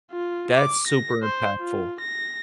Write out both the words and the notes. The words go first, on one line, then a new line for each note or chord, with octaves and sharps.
that's super impactful.
F4
D6
A#6
C5
F4
A#6